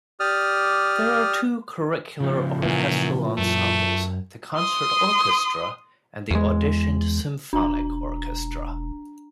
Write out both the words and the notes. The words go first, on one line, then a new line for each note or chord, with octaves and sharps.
There are two curricular orchestral ensembles, the Concert Orchestra and the auditioned Symphonic Orchestra.
G4 D5 D#6 F6
C#3 F3 F4
F#2 A#2 E3
F#2 A3
C6 D#6
E2 G#3
E1 D4 A#5